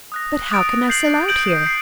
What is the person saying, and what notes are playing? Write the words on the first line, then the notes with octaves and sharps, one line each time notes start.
"But how can I sell out here?"
D#6 F#6 A#6
D#6 F#6 A6 D7
G6 C7 F#7
G6 D7 F#7
C7